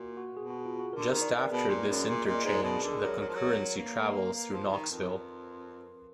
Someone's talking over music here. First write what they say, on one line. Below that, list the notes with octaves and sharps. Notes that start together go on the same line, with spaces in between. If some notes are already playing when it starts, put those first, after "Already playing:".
Just after this interchange, the concurrency travels through Knoxville.
Already playing: A#2 F#4
F#4
B2 G#4
F#4
F4
F#4
D3 A#4
D#3 A#4
D5
B4
B2 G#4
A#2
F#2
A#2
A#2 D#5
D5
G#2 B4
A#4
B2 G#4
D3 A#4
G#4
F#3 A#4
F#3
F3
F#3
A#3 B4
A#3
F3
D#3
F2